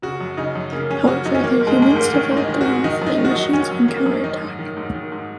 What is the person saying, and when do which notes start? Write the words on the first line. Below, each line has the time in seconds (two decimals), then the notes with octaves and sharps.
However the humans develop their own flying machines and counterattack.
0.02 C#3 F#4
0.21 F#2
0.37 C#3 D#4
0.55 F#2
0.72 C#3 A#3
0.90 F#2 C#4
1.07 C#3 F#4
1.25 F#2 D#4
1.35 C#4
1.43 D#3 A#3
1.61 G#2
1.67 G#3
1.78 D#3 G#3
1.90 A#3
1.96 G#2
2.02 A#3
2.13 D#3 C#4
2.31 G#2
2.37 D#4
2.48 D#3
2.61 G#2 F#4
2.84 D#3 D#4
3.02 F#2 D#4
3.18 D#3
3.25 F#4
3.31 D#4
3.36 F#2
3.53 D#3 C#4
3.71 F#2
3.88 D#3 A#3
4.06 F#2
4.24 D#3 D#4
4.41 G#2
4.59 D#3
4.77 G#2
4.94 D#3
5.12 G#2